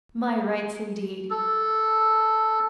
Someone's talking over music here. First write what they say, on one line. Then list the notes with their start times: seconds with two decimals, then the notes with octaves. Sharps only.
"My rights, indeed!"
1.31 A4